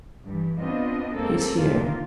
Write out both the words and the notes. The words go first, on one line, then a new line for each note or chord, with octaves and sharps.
He's here.
G2 E3
B3 C4 D4 F4 D#5
F#2 G#3 A#3 C4 A4
A#2 D3 D#3 F3 A#3 F4